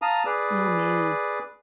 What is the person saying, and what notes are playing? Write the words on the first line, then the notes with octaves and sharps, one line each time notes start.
Oh, man.
F5 A5 A#5 D#6
G#4 B4 D5